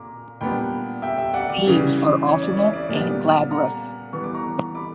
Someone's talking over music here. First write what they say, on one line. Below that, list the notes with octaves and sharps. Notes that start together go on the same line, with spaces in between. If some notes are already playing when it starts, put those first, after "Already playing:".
Leaves are alternate and glabrous.
Already playing: A#2 A#5 D6
A#2 G3 B3 D4 G5 B5
E5 G5
E5 G5
D5 F#5
D5
C#3 E3 G3 C#4
C#5
D5
C#5 E5
D5
A#2 G3 B3 D5
F#5 A#5
E3 G3 B3 C#6
D6
A#5 C#6
B5 D6